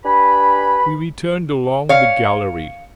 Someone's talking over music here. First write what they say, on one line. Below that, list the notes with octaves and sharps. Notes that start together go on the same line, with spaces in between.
We returned along the gallery.
D4 G4 B4 G#5 B5
C#5 F5